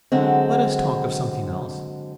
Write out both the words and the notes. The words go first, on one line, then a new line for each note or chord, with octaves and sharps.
Let us talk of something else.'
D3 F#3 G#3 C4